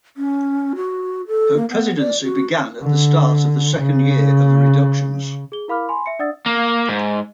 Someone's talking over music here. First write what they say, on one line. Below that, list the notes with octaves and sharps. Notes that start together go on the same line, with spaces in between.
Her presidency began at the start of the second year of the reductions.
C#4
F#4
A4
A#3
B3
D5
F#4
D3
C#3
G#4 G7
E4 A#4 F5 B5 D6 F6
G#5 B5 C6
E5 C#7
D4 D5 F#5 D#6 E6 A6
A#3
G#2